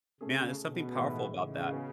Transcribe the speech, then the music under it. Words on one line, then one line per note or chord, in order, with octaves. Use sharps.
man, there's something powerful about that.
C#3 A3 C#4 G#4
B2
A2 E3 G#3 D#4
C#3
G#3 B3 F#4